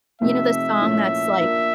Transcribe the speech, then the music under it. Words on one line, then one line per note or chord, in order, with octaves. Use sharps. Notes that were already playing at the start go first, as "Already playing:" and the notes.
you know the song that's, like
C3 F3 A3 C4 D#4 E5
A#2 F3 A3 C#4 E4
A#3 D4 F4 A#4